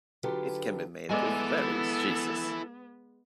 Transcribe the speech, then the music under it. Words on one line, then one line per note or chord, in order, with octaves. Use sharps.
It can be made with various cheeses.
D3 F#3 F4 G4 A4 B4
G#3 B3 E4 A4 D5 G#5